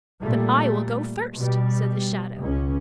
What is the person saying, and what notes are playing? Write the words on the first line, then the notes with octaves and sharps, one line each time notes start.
"But I will go first!" said the shadow.
A#2 G3 A3
B2 G3
C#2 C#4